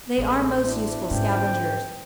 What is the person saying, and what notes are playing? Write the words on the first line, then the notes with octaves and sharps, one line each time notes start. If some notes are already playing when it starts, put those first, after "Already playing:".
They are most useful scavengers.
A1 G2 G#3 A3
B2 D4 E4
G1 G#2 C#4 C5 G5